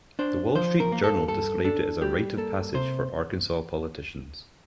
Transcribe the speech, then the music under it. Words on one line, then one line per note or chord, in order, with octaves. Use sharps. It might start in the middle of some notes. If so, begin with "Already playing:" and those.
"The Wall Street Journal" described it as a "rite of passage" for Arkansas politicians.
D4 C5
F3 C5
A#4
A#3
A4
G2 A4
D4 A4
G3 G4
A#3 A4
C3 C5